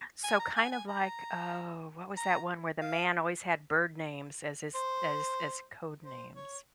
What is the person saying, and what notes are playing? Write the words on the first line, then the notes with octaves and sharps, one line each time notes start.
So, kind of like Oh what was that one where the man always had bird names as his as as code names?
G#5
A#5
G#5
G#5
A#5
A#5
F5
C5
C5
C#5